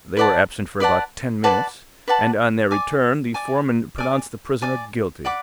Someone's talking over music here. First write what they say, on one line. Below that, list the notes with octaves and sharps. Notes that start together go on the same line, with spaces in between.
They were absent for about ten minutes, and on their return the foreman pronounced the prisoner guilty.
B4 D5 F#5 A5
B4 D5 F#5 A5
B4 D5 F#5 A5
B4 D5 F#5 A5
D5 G#5 D6
D5 G#5 D6
D5 G#5 D6
D5 G#5 D6
D5 F#5 B5 D6